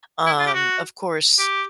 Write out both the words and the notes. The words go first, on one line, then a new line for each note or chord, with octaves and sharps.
um, of course,
E4
F4
G4
F#4
G4